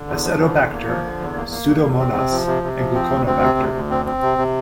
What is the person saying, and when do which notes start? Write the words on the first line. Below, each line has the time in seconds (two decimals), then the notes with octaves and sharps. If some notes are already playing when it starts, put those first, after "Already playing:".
"Acetobacter", "Pseudomonas" and "Gluconobacter".
Already playing: D3
0.08 E2
0.24 F3
0.40 D3
0.56 E2
0.72 A#3
0.88 F3
1.04 D3
1.20 E2
1.36 A#3
1.51 A#3
1.67 E2
1.83 E2
1.99 C4
2.15 C3
2.31 F3
2.46 C3
2.63 C3
2.79 F3
2.94 C4
3.11 D2
3.26 C4
3.42 C3
3.58 D2
3.74 D2
3.90 C4
4.06 C4
4.22 C3
4.38 C3